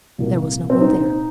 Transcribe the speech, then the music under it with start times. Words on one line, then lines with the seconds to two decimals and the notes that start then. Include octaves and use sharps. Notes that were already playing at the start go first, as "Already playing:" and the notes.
There was no one there.
0.18 C2 A#2 A#3
0.70 C4
0.81 D#4